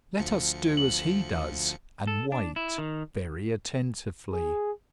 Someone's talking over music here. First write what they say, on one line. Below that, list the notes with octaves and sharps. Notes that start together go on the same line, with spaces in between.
Let us do as he does and wait, very attentively.
D2 F3 C#7
F#7
A4
D4
E4
D#3
G#4